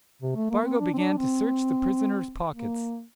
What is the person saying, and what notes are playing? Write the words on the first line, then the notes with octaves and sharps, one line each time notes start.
Spargo began to search the prisoner's pockets.
C3
A3
A#3
C4
D4
C4
D4
C4
A#3